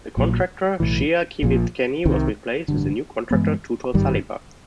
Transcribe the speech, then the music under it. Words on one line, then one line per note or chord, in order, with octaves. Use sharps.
The contractor, Shea-Kiewit-Kenny, was replaced with a new contractor, Tutor Saliba.
A#1 A#2 F#3
B1 A2 E3
A#1 A#2 F3
C2 C3 D#3
A1 G2 D3
G2 E3 G#3 B3
G#1 G2 D#3 G3